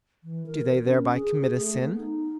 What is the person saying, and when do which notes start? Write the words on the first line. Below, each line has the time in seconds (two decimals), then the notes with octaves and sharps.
Do they thereby commit a sin?
0.24 E3
0.46 A#4
0.84 C#4
1.14 G#4
1.57 A3
1.74 B3
1.97 D#4